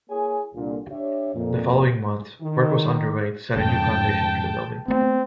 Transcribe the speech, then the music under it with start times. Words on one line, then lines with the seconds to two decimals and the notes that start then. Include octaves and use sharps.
The following month, work was underway to set a new foundation for the building.
0.10 A#3 E4 G#4 C#5 G#5
0.55 C2 A#2 D3
0.91 D4 G4 C#5 E5
1.35 F2 A#2
2.41 D#3
3.56 F2 G#2 C#3 G5 A5
4.88 A3 B3 C4